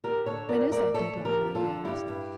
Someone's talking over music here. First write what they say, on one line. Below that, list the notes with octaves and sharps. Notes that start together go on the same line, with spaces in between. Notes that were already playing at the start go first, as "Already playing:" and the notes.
"When is that deadline?" Lea asked.
D3 G4 A#4
D3 A4 C#5
F2 A#4 D5
A3 A#4 D5
A3 A4 C#5
D3
G4 A#4
F2
F4 A4
D3
G2 E4 G4
G2